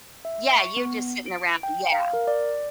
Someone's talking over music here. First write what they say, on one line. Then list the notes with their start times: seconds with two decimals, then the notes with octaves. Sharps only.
Yeah you're just sitting around, yeah.
0.25 E5
0.55 C#6
0.77 B3
1.26 D7
1.63 G5
1.92 F5
2.13 A#4
2.27 D5